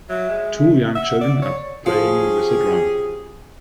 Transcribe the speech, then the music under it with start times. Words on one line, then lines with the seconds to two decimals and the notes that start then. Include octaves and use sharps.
Two young children are playing with a drum.
0.09 F#3 E5
0.29 G#3
0.95 E5 F#5
1.21 D5
1.42 C#5 D5
1.86 F3 C#4 G4 G#4